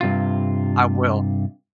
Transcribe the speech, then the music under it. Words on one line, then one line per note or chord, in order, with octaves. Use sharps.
I will.
G2 C3 F4